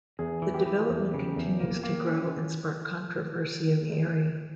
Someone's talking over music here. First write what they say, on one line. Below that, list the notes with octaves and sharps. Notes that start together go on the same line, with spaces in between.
The development continues to grow and spark controversy in the area.
E2 G#4
E3
G4
E3
E2
C#3
E2
A#3
A#3
C#4